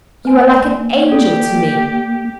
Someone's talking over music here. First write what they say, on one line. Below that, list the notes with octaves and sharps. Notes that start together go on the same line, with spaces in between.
You are like an angel to me.
A#3 B4 G#5
G4 A4 D5